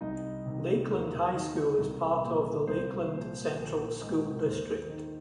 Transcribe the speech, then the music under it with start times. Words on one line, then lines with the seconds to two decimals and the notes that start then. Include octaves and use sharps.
Lakeland High School is part of the Lakeland Central School District.
0.01 C2 D#4 D#5
0.46 C3 D#3
0.90 D#2 A#4
1.34 D#3
1.78 C2
2.23 A#2 F3
2.67 C2 C5
3.12 A#2 F3
3.56 A#1
4.01 G#2 D#3
4.46 D#2 C5
4.89 D#3